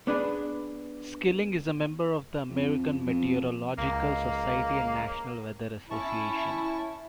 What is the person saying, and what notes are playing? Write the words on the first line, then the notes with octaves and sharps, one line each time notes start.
Skilling is a member of the American Meteorological Society and National Weather Association.
B3 D4 G#4 B4
F2
F2
C#2 A#3 F5
C#4 E4 A5 C#6